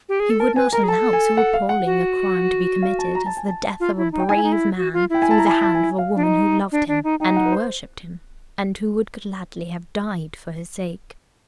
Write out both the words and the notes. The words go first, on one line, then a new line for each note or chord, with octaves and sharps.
He would not allow so appalling a crime to be committed, as the death of a brave man, through the hand of a woman who loved him, and worshipped him, and who would gladly have died for his sake.
G4
G#4
A4
A#4 A5
B4 G#5
A#4 A#5
G#4
A4 A5
G#5
F#5
F5
F#5
F#4
F5
A5
A#5
A5
G#5
A5
F4
E4
D#4
G5
D#4 G#5
E4
D#4
E4
F#4
F4
E4 G5
G#5
A5
A#5
G#5
A5
A5
G#5
F5
D4
D#4 D#5
D4
D4
D#4
D#4 G5
F#5
B4
C5